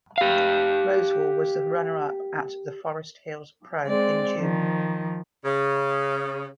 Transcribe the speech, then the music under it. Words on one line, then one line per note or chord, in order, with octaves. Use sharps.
Rosewall was the runner-up at the Forest Hills Pro in June.
G4 F5
G#3 C4 D5
D#3 F3
C#3